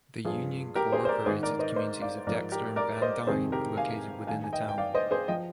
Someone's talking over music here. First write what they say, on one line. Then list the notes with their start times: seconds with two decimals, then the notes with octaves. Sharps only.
The unincorporated communities of Dexter and Van Dyne are located within the town.
0.25 G2 F3 F4 G#4
0.75 G4 A#4
0.92 G#4 C5
1.05 C5
1.09 A#4 D5
1.26 G#2 D#3 G#4 C5
1.43 A#4 D5
1.59 C5 D#5
1.76 C5 D#5
2.01 D5 F5
2.27 G#2 F3 A#4 D5
2.52 G4 A#4
2.76 A#4 D5
3.02 C5 D#5
3.26 F2 C3 D#3 G#4 C5
3.52 G4 A#4
3.77 F5 G#5
4.27 G2 D#3 F5 G#5
4.44 G#5
4.53 D#5 G5
4.68 G5
4.78 D5 F5
4.94 C5 D#5
5.11 G#4 C5
5.28 F3 D#5 G5